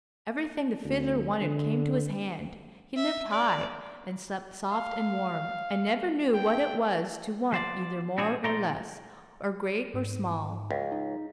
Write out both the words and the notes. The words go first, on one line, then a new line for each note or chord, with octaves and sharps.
Everything the Fiddler wanted came to his hand. He lived high, and slept soft and warm, and never knew what it was to want either more or less, or great or small.
D2
D3
E5
D5
F5
G5
F3 C5 D5
A#2 C4 D4 F#4 G#4
A#2 D#4 A#4 D5 A#5 C6
G#2
C#2
D#4